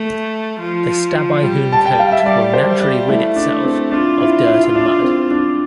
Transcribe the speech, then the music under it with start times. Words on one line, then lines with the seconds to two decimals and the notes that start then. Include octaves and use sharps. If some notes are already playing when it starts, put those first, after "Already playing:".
The Stabyhoun coat will naturally rid itself of dirt and mud.
Already playing: A3
0.59 F3
1.42 G3
1.73 A5
1.86 G5
1.99 F5
2.12 E5
2.26 G3 D5
2.53 C5
2.67 G3
2.81 D5
3.08 A3 E4
3.36 D4
3.64 C4
3.92 D4 F4
4.20 E4
4.47 E4
4.64 E4
4.75 D4
5.02 C4
5.31 D4